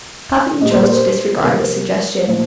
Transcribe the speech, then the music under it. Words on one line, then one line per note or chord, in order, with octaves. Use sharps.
Puffin chose to disregard this suggestion.
A#2 G3 D#5
C5
A#4
C5
C3 F3 A#4
A#2 F3